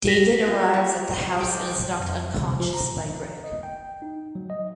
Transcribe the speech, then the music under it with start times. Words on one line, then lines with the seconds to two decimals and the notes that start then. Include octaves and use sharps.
David arrives at the house and is knocked unconscious by Greg.
0.08 A#6 B6
0.46 F4 G4
0.74 C#5
1.11 C5 D#5
1.40 G#3 D5 G5
2.00 F2
2.41 C3
2.60 F3
2.73 A#5
3.44 D#5
3.63 G5
4.02 D#4
4.35 F#3
4.50 D#5